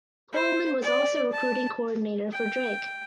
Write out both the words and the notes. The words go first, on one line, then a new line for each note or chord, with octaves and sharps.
Pohlman was also recruiting coordinator for Drake.
C5
D5
A5
G5